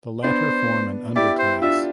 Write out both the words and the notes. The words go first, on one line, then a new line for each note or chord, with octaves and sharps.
The latter form an underclass.
B3 D4 C5
E4 G4 D5
C5
D4 F4 E5